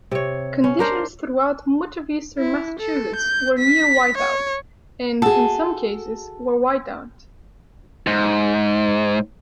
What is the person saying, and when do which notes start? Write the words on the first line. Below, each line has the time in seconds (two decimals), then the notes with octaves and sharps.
Conditions throughout much of eastern Massachusetts were near-whiteout and, in some cases, were whiteout.
0.11 C3 C#5
0.64 C#4
0.79 D4 A#4 C5
2.39 E4
2.80 A4
3.16 G6
3.59 B6
4.18 C#5
5.22 F#4 G#4 A4
8.07 G#2